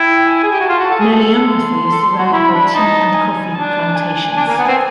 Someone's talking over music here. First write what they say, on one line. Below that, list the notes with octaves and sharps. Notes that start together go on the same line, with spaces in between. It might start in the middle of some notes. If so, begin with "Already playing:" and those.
Nelliampathy is surrounded by tea and coffee plantations.
Already playing: E4 G5
G#5
G#4
G4
F#4
F4 A5
F#4
A4
G#4
A4
C6
A4
F#4
E4 B5
D4
D#4 A5
G#5
D4 A5
G#5
D4
A#3
B3
C4